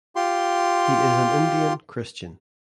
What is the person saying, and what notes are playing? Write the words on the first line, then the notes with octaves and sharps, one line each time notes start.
He is an Indian Christian.
F4 G4 C6